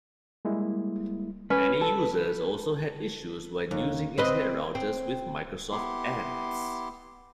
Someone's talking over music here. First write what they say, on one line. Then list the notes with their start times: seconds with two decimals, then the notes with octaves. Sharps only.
Many users also had issues when using internet routers with Microsoft Ants.
0.45 G3 G#3 A#3 E4
1.50 C#4 B4
1.81 A4
3.71 D#2
4.18 C4 B4 D#5
4.75 C4
5.71 B3 E4 G4 C6